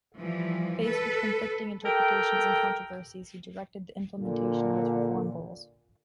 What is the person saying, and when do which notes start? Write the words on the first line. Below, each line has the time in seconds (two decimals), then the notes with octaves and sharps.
Faced with conflicting interpretations and controversies, he directed the implementation of its reform goals.
0.18 E3 F3 G3
0.82 A4 B4
1.83 G4 A4 A#4 G5
4.18 A#2 D3